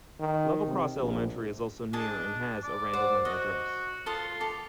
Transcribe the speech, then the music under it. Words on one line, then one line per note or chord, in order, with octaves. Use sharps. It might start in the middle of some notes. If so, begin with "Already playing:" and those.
Level Cross Elementary is also near and has a Randleman address.
D#3
C3
A#1
D4 G#4 D#5 A5
D5
C5 F#5
F#4 D#5
F4 A4 C6 D#6
G4 A4